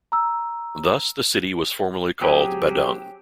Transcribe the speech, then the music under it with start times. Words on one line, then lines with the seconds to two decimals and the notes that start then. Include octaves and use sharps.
Thus, the city was formerly called Badung.
0.12 A#5 E6
2.21 F#3 C4 G4 G#4